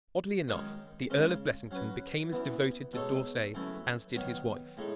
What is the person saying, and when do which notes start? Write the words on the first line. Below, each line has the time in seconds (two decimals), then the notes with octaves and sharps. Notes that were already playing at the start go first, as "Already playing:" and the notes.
Oddly enough, the Earl of Blessington became as devoted to D'Orsay as did his wife.
0.48 F#2 D#3 G#3 D#4
1.10 C#3 G#3 C#4
1.71 F#3 C#4 F#4 B4
2.32 F#2 E3 B3
2.93 B2 G#3 D#4 A4 C#5
3.54 F#2 E3 A3
4.15 D#3 F#3 B3
4.77 A2 G#3 D#4